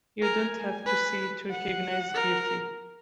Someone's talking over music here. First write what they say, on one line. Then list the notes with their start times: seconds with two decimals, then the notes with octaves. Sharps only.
You don't have to see to recognize beauty.
0.22 A#4 G#5
0.86 B4
1.51 F#5
2.15 A#4